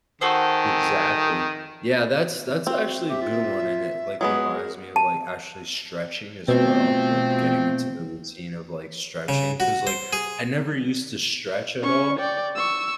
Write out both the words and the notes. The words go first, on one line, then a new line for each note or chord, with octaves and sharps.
Exactly, yeah, that's that's actually a good one and it, like, reminds me of, like, actually stretching as well, like getting into the routine of, like, stretching, 'cause, like, I never used to stretch at all,
D#3 F#4 G#4 A4 C5
C4 F#4
G4 E5
F4
F#3 G#3 B3 B4 D#6
G#4 A#4
A5
B2 F3 A3 C4
C#3
F#4
C5
G#4
C#4 C#6
D5 G5
C#6 E6